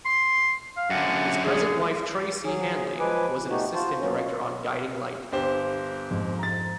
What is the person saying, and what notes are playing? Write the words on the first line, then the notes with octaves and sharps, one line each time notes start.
His present wife, Tracey Hanley, was an assistant director on "Guiding Light".
C6
F5
F#2 D3 F#5
G#4
F#3 G#4
F3 G#3 B4 G#5 D6
G#2
A3 B3 D#4 F#4 G4
F4 F#4 C5 A5
F#3 A#3 C#4
G1 G4 C5
F2 G#2
A#5 A6